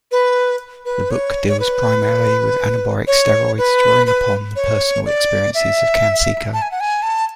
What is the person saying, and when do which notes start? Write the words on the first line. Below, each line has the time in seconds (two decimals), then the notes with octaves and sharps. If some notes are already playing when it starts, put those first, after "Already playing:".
The book deals primarily with anabolic steroids, drawing upon the personal experiences of Canseco.
0.12 B4
0.85 B4
1.11 C#5
1.48 C#5
1.60 B4
3.07 C#5
3.58 B4
4.07 B4
4.56 C#5
5.06 D5
5.55 E5
6.53 A5
6.62 G#5
6.71 F#5
6.80 G#5
7.02 A5